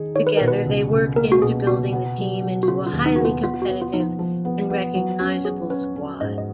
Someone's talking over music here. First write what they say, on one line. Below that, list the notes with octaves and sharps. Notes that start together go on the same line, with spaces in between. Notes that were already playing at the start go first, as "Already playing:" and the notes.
Together, they worked into building the team into a highly competitive and recognizable squad.
Already playing: D#3 D#4 G#4
D#3 C#5
B4
B2 A#4
B4
C#2
C#2
A#3 A#4
F#4
B2 G#4
B2 F#4
B3
F#3
F#3
F#4
C#3 F4
F4
D#2
D#4
B3 F#4
F4
B3 F4
F4
F#4
B3
F4
F3 D#4
F4
F3
B3
B3
F#3
C#4 F#4
C#4 G#4
C#4 B4
C#4
G#2 D#5
D#5